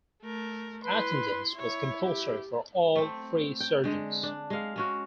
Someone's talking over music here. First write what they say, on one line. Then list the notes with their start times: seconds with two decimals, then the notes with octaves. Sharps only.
Attendance was compulsory for all 'free' surgeons.
0.23 A3 A#4
0.85 E4 B4 C6
1.55 E4 C#5
2.03 G4
2.96 A3 C4
3.60 G5
3.84 D3 G#3
4.23 D4
4.50 G#3 F5
4.76 G#3 C#4 F#4